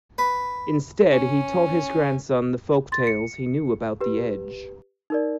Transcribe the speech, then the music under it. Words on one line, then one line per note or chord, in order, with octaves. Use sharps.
Instead he taught his grandson the folk tales he knew about The Edge.
B4
C#4
C6 A6
C#7
G4 B4
D#4 A#4 D5